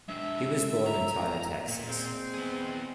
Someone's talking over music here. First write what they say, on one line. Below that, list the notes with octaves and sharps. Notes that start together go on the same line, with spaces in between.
He was born in Tyler, Texas.
G#3 D4 E5
A#5
A#2 A#3
G#3 C4
B3 G#4